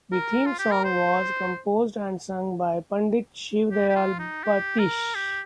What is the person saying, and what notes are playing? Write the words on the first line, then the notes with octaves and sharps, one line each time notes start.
The theme song was composed and sung by Pandit Shiv Dayal Batish.
A#4
F4
G4
A#4
C5
G4
G4
F4
D#4
G4
A#4
G4